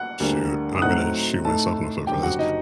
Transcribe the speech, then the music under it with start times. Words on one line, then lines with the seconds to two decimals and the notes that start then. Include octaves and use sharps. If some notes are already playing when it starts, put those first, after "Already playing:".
shoot, and I'm gonna shoot myself in the foot for this.
Already playing: F#5 F#6
0.20 D2 D3 G3 A#3 D4
0.75 D#6
0.82 A2 F#3 A3 C4 D#4 F#5 F#6
1.45 A2 A3 D#4 A4 A5
2.07 F#1 F#2 D3 G3 G4 G5
2.23 F#4 F#5
2.39 D#4 D#5